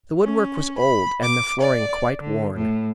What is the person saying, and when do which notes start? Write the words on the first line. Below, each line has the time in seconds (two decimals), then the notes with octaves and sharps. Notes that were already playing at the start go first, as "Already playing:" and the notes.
The woodwork was old and the flooring quite worn.
0.23 C#4
0.79 B5
1.23 D6
1.61 D5
2.21 D3
2.55 A2